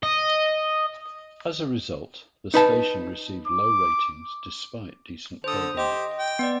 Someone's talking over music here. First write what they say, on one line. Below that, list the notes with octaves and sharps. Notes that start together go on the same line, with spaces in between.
As a result, the station received low ratings despite decent programming.
D#5
D#4 B4 A5
D6
D3 A4 C5 D#6
G4 C5 D#5
G5
B3 D5